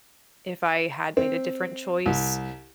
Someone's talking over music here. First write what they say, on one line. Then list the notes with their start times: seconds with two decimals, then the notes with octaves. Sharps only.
if I had made a different choice,
1.17 C4
2.06 C2